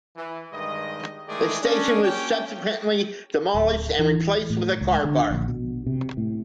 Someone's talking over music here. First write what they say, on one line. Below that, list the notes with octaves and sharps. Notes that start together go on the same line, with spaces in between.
The station was subsequently demolished, and replaced with a car park.
E3
G2 D#3 G#3 D#5
D#3 E3 G#3 A3 G#4 D5
C#4 D4
A#3 C#4 G5
D1
E3
A2
C#2
D3
A#1
B2
C3
A2